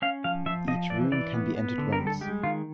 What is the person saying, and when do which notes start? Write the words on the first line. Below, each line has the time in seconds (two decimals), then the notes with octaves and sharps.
Each room can be entered once.
0.02 C#4 F5
0.24 F3 F5
0.46 F3 E5
0.68 F3 D#5
0.90 E3 D5
1.12 E3 D5
1.34 B3
1.56 B3
1.78 D3
1.92 A#4
1.99 G3
2.07 A4
2.21 G#3 G4
2.43 D#3 F4